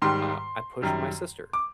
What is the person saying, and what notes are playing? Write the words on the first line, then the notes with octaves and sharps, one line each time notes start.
uh, I pushed my sister,
G#2 D#3 G3 C6
F#2 D#3 G3
D6